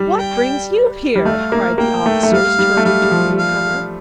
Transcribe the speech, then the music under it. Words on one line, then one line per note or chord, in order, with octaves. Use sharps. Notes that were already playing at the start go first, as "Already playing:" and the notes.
"What brings you here?" cried the officers turning to the newcomer.
Already playing: G3
G5
G3
A3 F5
A#3
A#3 G5
A3
A3
G3 F5
G3
A3
G3 F5
G3
F3
F5